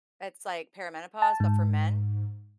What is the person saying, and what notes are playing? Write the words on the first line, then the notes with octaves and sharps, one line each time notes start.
it's like perimenopause, but for men.
A5
G#2